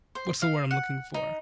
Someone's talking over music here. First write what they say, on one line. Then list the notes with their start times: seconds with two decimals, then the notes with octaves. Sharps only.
what's the word I'm looking for?
0.15 C5
0.42 F5
0.71 F#5
1.14 D#4